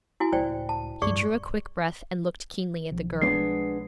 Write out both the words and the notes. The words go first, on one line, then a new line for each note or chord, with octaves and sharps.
He drew a quick breath and looked keenly at the girl.
E4 F#4 G#5
C#2 A2 C5 D5 G5
A5
D1 G2 G#4 D5 C#6
B1 F3
G#3 B3 D4 C7